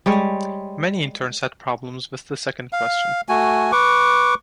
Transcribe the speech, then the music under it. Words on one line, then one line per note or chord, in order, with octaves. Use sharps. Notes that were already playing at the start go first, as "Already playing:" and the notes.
Many interns had problems with the second question.
G3 G#3 C#5
F5
A3 F#4 G#5
B4 C#6 D6